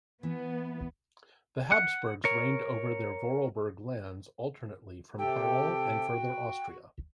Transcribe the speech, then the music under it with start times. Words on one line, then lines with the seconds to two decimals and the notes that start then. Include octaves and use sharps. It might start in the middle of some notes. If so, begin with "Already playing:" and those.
The Habsburgs reigned over their Vorarlberg lands alternately from Tyrol and Further Austria.
0.23 E3 B3
1.72 F#5
2.25 A#4 C#5
5.19 C3 G4 A4 G5
6.09 F#4